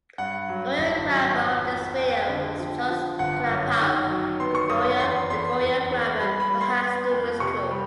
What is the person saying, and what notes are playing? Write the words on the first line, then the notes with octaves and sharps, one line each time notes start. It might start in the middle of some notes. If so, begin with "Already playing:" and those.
The choreographer of this video was Charles Klapow, the choreographer for "High School Musical".
G2 F#5
F#3
G#1
F#3
F2
F2
F2 G5
D3
F3
F3
G1 F#5
F#2
D#3
F#3
B3 C6
C#6
F#2 D#6
C#6
E2 C6
E2 C6
E2
E2
G3 B5
B5
G3
C6
B3
F2
C3 C#6
G3